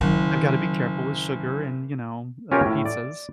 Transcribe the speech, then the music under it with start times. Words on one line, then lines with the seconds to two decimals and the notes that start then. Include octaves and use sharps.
I've gotta be careful with sugar and, you know, uh, pizzas.
0.01 F#1 D#3 F#3
2.52 C#4 F4 G4 A#4 C#5
2.66 A2
2.85 D5